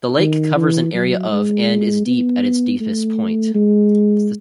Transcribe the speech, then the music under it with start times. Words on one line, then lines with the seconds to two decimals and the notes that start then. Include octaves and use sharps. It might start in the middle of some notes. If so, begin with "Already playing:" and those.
The lake covers an area of and is deep at its deepest point.
0.19 D#3
0.55 E3
0.94 F#3
1.30 G#3
2.06 B3
2.80 A3
3.55 G#3